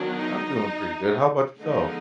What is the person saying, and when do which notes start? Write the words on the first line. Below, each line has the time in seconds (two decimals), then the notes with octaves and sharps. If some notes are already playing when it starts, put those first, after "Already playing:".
I'm doing pretty good, how about yourself?
Already playing: D#3 F#3 B3 D4
0.17 D#4
1.60 D3 F3 G#3 B3 D#4